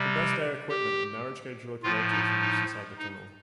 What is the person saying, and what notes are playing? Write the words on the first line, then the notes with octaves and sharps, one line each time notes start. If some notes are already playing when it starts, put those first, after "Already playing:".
Compressed air equipment and narrow gauge locomotives were used inside the tunnel.
Already playing: C3 G3
G4
A2 F3 F4
D#4
D#4
D#4